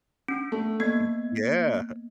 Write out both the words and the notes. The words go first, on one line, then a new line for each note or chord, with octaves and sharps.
Mm, yeah.
C#4 D4
A3
A#3 B3 G#6